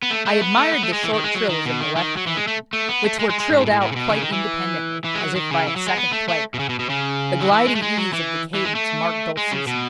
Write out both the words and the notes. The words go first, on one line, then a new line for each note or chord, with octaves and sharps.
I admired the short trills in the left hand, which were trilled out quite independently, as if by a second player; the gliding ease of the cadence marked dolcissimo.
B3
A3
A3
B3
A3
B3
A3
G#3
E3
D#3
G#3
F#3
D#3
B2
D#3
D#3
F#3
E3
G#3
A3
A3
B3
A3
G#3
G#3
G#3
G#2
A2
B2
A2
A2
C#3
B2
D#3
C#3
D#3
E3
E3
G#3
F#3
D#3
C#3
E3
F#3
G#3
B3
A3
A3
B2
C#3
B2
B2
C#3
F#3
E3
G#3
A3
G#3
F#3
E3
E3
G#3
A3
G#3
C#3
B2